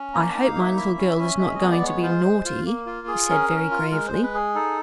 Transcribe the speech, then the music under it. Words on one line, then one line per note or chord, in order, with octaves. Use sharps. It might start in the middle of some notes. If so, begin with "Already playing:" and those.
"I hope my little girl is not going to be naughty," he said, very gravely.
Already playing: C#4
A#3 A#5
A5
D#4
F5
A#3
E5
E4 E5
C#4
C#4
G#3 E5
D#5
B3
D5
G#3 C#5
F4 C5
G#3
F4
A#3
F4
G#4
C#4 A#4
C#4
F4
G#3 A#4
C5
G#3
B4
G#4
D#4 A4